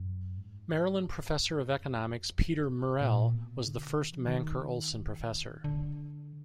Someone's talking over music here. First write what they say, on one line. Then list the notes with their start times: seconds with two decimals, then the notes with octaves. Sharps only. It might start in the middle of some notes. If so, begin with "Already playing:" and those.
Maryland Professor of Economics Peter Murrell was the first Mancur Olson Professor.
Already playing: F#2
0.38 G#2
1.69 F2
2.35 F#2
2.68 G#2
3.01 A#2
3.34 B2
3.66 D3
4.00 D#3
4.13 F3
4.27 D#3
5.64 D3